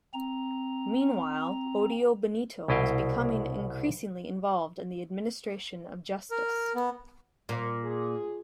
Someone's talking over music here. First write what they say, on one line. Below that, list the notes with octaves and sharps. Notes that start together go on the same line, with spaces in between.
Meanwhile, Odio Benito was becoming increasingly involved in the administration of justice.
C4 A#5
C2 B2 E4 D#5 F5 G5
A#4
B3
A#2
G#4